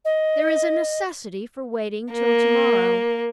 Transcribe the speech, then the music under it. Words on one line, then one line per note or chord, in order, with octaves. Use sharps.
There is a necessity for waiting till to-morrow.
D#5
A#3